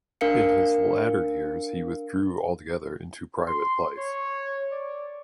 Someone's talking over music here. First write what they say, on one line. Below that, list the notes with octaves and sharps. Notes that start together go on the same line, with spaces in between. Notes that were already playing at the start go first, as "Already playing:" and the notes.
In his latter years he withdrew altogether into private life.
D4 A#4 F5 C#7
C6
C#5
D5